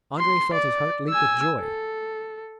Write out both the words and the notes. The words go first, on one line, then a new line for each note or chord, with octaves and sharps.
Andrea felt his heart leap with joy.
C6
D5
G#5 E6
A4